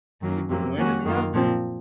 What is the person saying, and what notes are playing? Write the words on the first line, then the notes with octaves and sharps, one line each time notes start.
see, we're blaming the oven.
F#2 D#3 F#3 A#3 C#4
F2 C3 F#3 A#3
D#3 A#3 C#4 F#4
F#2 D#3 A#3 F4
A#2 F3 C4